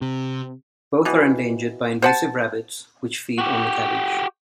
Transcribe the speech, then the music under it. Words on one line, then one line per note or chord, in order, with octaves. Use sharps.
Both are endangered by invasive rabbits which feed on the cabbage.
C3
B2 E3
C5 F#5 A5
F#4 G4